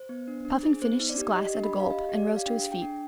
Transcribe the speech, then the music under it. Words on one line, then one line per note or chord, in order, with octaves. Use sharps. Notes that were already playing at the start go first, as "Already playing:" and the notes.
Puffin finished his glass at a gulp, and rose to his feet.
Already playing: C5
B3
D4
D4
G#4
B3 C5
D#4
D5
G4
G4 D#5
D4
B5
G4
F5
G4 D#5
G4
D5
G4
F5
D4 G5
G#4
G5
D4